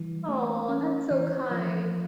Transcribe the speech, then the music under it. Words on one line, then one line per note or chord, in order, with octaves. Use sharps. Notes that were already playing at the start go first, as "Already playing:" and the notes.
Aw, that's so kind.
Already playing: E3 G3
A3
C#4
E3
F3